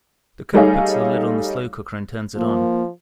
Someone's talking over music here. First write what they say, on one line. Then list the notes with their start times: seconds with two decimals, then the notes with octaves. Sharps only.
The cook puts the lid on the slow cooker and turns it on.
0.54 G3 A3 D#4 G#4 C#5 F5
2.36 F3 A#3